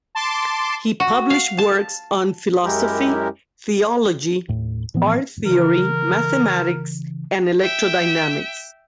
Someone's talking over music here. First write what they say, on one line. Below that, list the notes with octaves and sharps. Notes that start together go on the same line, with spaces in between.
He published works on philosophy, theology, art theory, mathematics and electrodynamics.
A5 C6 D6
F#4
F5
A5
F#2 G#3 E4 G4 A#4
D#2 A2
A2 E3 F3 B3
C#3 E3 A#4
E5 G5